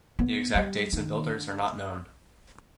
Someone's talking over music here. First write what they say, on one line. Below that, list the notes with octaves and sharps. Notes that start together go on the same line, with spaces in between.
The exact dates and builders are not known.
B3
G3
D#3
D3